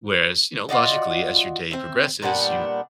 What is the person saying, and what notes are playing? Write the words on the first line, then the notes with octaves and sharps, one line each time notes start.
whereas, you know, logically, as your day progresses, you
F4 F#4 D5 D#5
C4 E5
A#2 G3 B3 D4